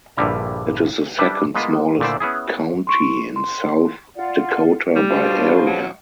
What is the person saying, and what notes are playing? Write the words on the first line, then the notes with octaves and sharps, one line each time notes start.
It is the second-smallest county in South Dakota by area.
A#1 G2 D3 G3 E4 A#5
G3 D4 B4 E5 G5
G#3 A#3 B3 F4 B4 D#5
A#2 D3 A3 E4 C5 D5
B3 C#4 E4 G#4
C6 C#6 D7
C6
F4 D5 F#5
G3
B2 D4 F4 C5
F#3